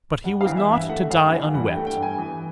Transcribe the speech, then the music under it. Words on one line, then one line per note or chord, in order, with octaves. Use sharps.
But he was not to die unwept.
G2 F#5
F5
E3
E5
G2
E5
A3 F#5
G2 F5
E3 F#5
G2 F#5
G5
A3
G5
G2
G#5
E3